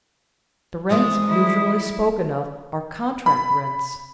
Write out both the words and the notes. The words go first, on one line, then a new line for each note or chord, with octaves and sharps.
The rents usually spoken of are contract rents.
E3 F3 G#3 D#6
G3 E4
B5